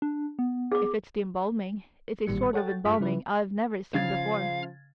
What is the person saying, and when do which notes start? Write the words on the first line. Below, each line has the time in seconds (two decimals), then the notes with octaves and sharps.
If it's the embalming, it's a sort of embalming I've never seen before.
0.02 D4
0.39 B3
0.72 G#4 D6
2.26 A1 A#2 D#3 G3 C#7
2.53 A4 C#5 F#5 G5 A6
2.85 G2 F4 G#4 D6 F6 B6
3.00 C#3 F3 E4 B4
3.94 C#3 F3 F5 G#6 A6